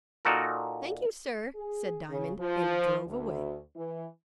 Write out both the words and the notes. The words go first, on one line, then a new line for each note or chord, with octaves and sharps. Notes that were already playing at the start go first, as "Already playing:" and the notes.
"Thank you, sir," said Diamond, and drove away.
A#2 D#4 F#4 A4 A#4
G#4
C#3
F3
D2
E3